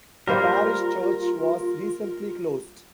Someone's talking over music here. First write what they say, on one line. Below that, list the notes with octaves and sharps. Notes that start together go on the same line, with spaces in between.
The parish church was recently closed.
G3 A#3 F4 A#4 C5